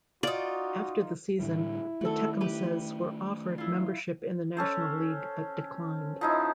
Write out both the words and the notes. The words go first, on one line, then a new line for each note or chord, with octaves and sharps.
After the season, the Tecumsehs were offered membership in the National League, but declined.
D#4 F4 F#4 D5
A2 D3 G3 E4
D#3 A3 F#4 A4
G4 B4
E4 F4
C#4 A4 C5
F3 D#4 E4